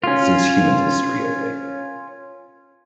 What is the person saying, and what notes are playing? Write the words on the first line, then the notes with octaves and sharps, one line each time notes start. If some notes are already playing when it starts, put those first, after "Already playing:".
eh, since human history, I think.
C#4 F4